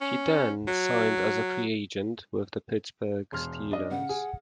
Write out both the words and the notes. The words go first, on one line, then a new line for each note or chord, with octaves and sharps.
He then signed as a free agent with the Pittsburgh Steelers.
C#4
F#3
E1 C6 F6
D4 D#5
C#3 F#5
G#4